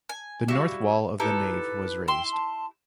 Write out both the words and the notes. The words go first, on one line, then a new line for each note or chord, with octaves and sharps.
The north wall of the nave was raised.
G#5
G3 E4 F#4 F5
D#4 E4 G4 A4 B4
E5 G5 C6
A5